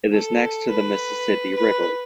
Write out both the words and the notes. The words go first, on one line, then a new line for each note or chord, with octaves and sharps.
It is next to the Mississippi River.
A4
B4
B4